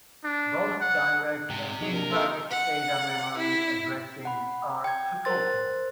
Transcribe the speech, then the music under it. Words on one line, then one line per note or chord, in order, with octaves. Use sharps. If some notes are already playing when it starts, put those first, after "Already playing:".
Both direct and indirect data memory addressing are supported.
D4
F#5
G#2 C3 G5 A5
F#3 D#4 G#4
A#3 D4 G4 A#4
D#3 F4 A4 E5
F#5
E4
F#5 B5
G5 G#6
A#4 C5 C6 A6